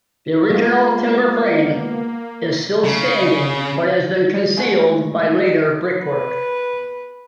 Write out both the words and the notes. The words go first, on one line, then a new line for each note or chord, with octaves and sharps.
The original timber frame is still standing but has been concealed by later brickwork.
G#3 A#3 B3 F4
C#3
A#2 G#3 A3 G#4 B4 F#5
B4